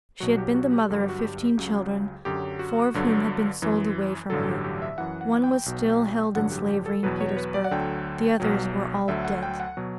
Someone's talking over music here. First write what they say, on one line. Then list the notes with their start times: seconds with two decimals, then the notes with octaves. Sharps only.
She had been the mother of fifteen children, four of whom had been sold away from her; one was still held in slavery in Petersburg; the others were all dead.
0.20 B1 B2 F#3 F#4
0.38 G4
0.54 F#4
0.72 G4
0.89 G1 G2 F#3 A4
0.99 G4
1.09 F#4
1.19 G4
1.57 C#2 C#3 F#3
2.25 F#2 D3 F#3 G4
2.59 F#4
2.94 G1 G2 D3 F#3
3.62 F#2 E3
4.30 A1 G2 D3 F#3 A4
4.48 G4
4.64 G4
4.82 E5
4.98 F#2 E3 F#5
5.21 F#5
5.44 G5
5.66 B1 B2 F#3
6.34 A1 G2 D3 F#3 F#5
6.52 G4
6.68 G4
6.86 A4
7.03 E2 B2 F#3 B4
7.21 C#5
7.37 B4
7.54 D5
7.64 F#5
7.71 D2 D3 F#3 G5
8.40 B1 B2 F#3
9.08 D2 D3 F#3 E5
9.25 F#5
9.43 G5
9.60 F#5
9.77 B2 F#3